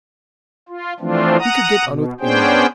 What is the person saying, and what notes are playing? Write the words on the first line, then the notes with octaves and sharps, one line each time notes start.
He could get on with anyone.
F4
E3 F3 A3 C4 D4 F4
F#5 A#5 D#6
B2
B3 C#4 D4 G#4 C5 G5